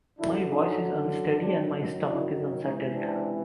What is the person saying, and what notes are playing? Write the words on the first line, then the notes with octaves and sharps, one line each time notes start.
My voice is unsteady and my stomach is unsettled.
F#2 D3 F#3 D4 E4
C#4 D#4
F#2 D#3 F#3 C4 D4
D4 E4
C#2 C3 E3 C#4 D#4
C4 D4